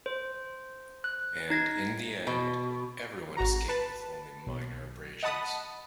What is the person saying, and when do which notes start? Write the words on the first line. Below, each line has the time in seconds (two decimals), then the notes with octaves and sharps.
And in the end, everyone escaped with only minor abrasions.
0.06 C5
1.04 F#6
1.50 D#4 G#6 A#6
2.27 B2
3.37 G#1 F#4 A#5
3.69 B4 A5
4.47 B1
5.23 D#5 F#5 A5 B5 D#6